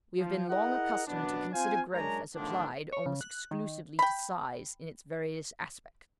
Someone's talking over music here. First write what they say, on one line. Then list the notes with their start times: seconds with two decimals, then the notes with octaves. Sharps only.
We have been long accustomed to consider growth as applied almost exclusively to size in its various aspects.
0.19 F3
0.49 E4 G#4 A#4 D#5 F#5
1.08 F#2 B2 B3 D4
1.53 C4 F4 C5 F5 G#5
1.94 F#2 G#3 C#4 D4 A#4 A#5
2.36 E2 A2 D3 D#3 F3 D4
2.93 C#5
3.06 C#3
3.21 F#6
3.51 D#3
3.99 G5 B5